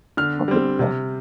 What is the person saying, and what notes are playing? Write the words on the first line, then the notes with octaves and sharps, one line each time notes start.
Don't think so.
D3 F6
G3 C4
C3